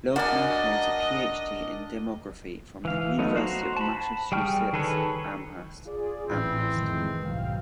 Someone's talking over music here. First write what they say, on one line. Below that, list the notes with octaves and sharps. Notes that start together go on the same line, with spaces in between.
Loebner holds a Ph.D. in demography from the University of Massachusetts Amherst, Amherst.
D4 F#4 A#4 D5 D#5 G#5
E3 F5
F#3 A3 B3 D#4
F#4 C5 F5 A#5
A5 B5
G3 G#4 G5 C#6 F6
D#3 G#4 A4 B4 C#5
F4 G#4 D5
A1 E3 C4 B5
F2 D#3 G#3
B1 G#2 F3 F5 G5